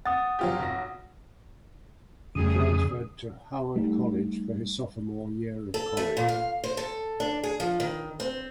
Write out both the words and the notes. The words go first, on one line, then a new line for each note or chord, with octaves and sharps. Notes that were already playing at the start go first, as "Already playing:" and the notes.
He transferred to Howard College for his sophomore year of college.
F#5 D#6 A6
F#3 F4 G4
B1 A#6
F2 C#3 G3 A3 G#4 D#6
G3 A3 D#4
A4
A3
A#2
F5
C5
A4
D4
G#4
F3
D#3
C4